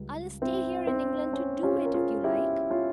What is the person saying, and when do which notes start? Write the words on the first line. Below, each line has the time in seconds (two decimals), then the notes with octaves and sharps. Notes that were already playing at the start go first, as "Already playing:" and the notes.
I'll stay here in England to do it, if you like.
Already playing: C#2 C#3 G3
0.42 C4 E4
0.87 C4
1.33 C#4
1.63 C#4 F4
1.85 A#4
1.94 F4 G#4
2.24 E4 G4
2.70 C#4 F4